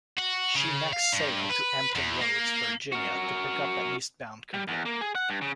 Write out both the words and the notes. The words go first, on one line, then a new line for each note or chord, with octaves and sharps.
She next sailed to Hampton Roads, Virginia, to pick up an east bound convoy.
F#4
C#3
F5
G2
B4
E2
A#3
F#4 A#4
G3
E2
A#3
G#4
F#5
G2
C#3